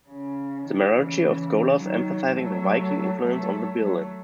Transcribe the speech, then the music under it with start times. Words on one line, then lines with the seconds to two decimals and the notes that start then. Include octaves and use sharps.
The majority of scholars emphasise the Viking influence on the birlinn.
0.09 C#3
0.65 B2 D#3
0.93 C#3 E3
1.78 D#3 F#3
2.35 F#3 A3
3.20 F#3 A3
3.77 F#3 A3